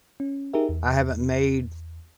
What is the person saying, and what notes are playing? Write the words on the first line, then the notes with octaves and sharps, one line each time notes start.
I haven't made
C#4
D#4 G4 G#4 A#4 E5
E2